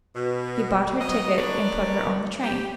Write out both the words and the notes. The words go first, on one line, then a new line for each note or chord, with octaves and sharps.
He bought her ticket and put her on the train.
B2
F#3 D#5
D4 A#4 B4 C#5 D5
G4